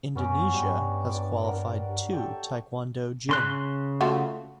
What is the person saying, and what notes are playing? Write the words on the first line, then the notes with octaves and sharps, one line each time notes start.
Indonesia has qualified two taekwondo jin.
F#2 B3 C#4 D6
G2 G3
D4 D6
A#4 F#5
G4 A4 C#6
C#3 C6 F#6
A3 F4 F#4